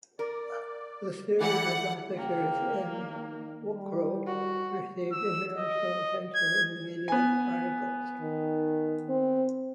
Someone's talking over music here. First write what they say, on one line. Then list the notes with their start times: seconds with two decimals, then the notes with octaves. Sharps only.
The series of massacres in Wukro received international attention in media articles.
0.19 A#4 D5
1.41 E3 A3 E4 G4 D5 F#5
2.16 C#3 A#3 G5
2.97 D#3
3.70 G3
4.27 F#4
5.12 E6
5.57 D#5
6.35 G#6
7.08 B3 G#5
8.21 D#3
9.09 C4